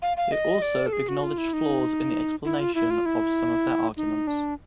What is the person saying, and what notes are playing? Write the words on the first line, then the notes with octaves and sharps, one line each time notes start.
They also acknowledged flaws in the explanation of some of their arguments.
F5
F5
D#5
D5
A4
G#4
F#4
F4
E4
D#4
E4
F4
E4
F4
E4
D#4
D4